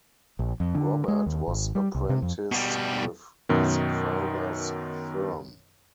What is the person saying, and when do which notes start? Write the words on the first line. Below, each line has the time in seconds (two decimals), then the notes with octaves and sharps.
Robert was apprenticed with his father's firm.
0.39 A#1
0.60 F2
0.75 D3
1.08 G#3
1.26 D#2
1.48 G#1
1.75 G3
1.95 C2
2.09 C3
2.22 F2
2.52 B2 G3
3.49 F#2 B2 D#3